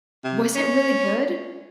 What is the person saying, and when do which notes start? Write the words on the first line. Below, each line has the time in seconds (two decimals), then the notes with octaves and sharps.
Was it really good?
0.24 C3
0.55 C#4